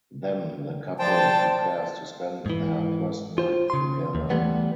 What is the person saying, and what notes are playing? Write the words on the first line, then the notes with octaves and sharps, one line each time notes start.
Then the couple prepares to spend their first night together.
F3 C5 D5 G5 A5
G#2 E3
F4 C5
C#3 C6
D#2
E3 G3 A3 B3